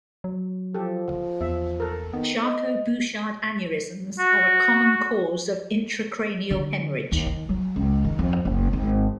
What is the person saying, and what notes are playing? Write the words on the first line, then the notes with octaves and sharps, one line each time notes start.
Charcot-Bouchard aneurysms are a common cause of intracranial hemorrhage.
F#3
F3 G4 A4
E2 E5
A4 A#4
D#3 B3
D#5
F#4
D3
D#2
D#3
F#3
C#2
D#3
F2
F#1
G#1